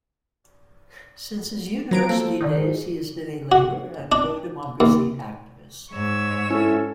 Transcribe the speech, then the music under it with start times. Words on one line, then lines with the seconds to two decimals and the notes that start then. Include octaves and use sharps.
Since his university days, he has been a labour and pro-democracy activist.
1.91 F3 F#3 A#5 D7
2.09 A#3 A4
2.41 D3 D#3 D#4
2.56 G#2
3.52 F#4
4.12 D4
4.80 D#2
5.92 G#2 C#5 E6
6.51 C#4 E4 A4